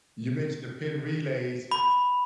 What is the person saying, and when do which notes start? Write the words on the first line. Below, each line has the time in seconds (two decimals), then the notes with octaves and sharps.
You mentioned the pin relays.
1.71 B5